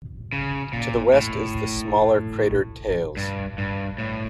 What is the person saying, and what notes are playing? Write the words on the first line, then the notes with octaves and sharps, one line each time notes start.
To the west is the smaller crater Thales.
C#3
A#2
A2
G2
G2
A2